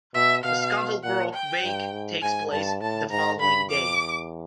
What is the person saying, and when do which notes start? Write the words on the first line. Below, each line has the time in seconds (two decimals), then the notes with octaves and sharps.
The Scuttlebrook Wake takes place the following day.
0.14 B2 E5
0.44 B2 F5
1.03 A#2 F#5
1.33 G5
1.63 G2
1.92 G#2
2.22 G#2 G#5
2.51 G2 A5
2.81 A2 A5
3.10 G#2 A#5
3.40 G2 B5
3.70 F2 D6
3.99 E2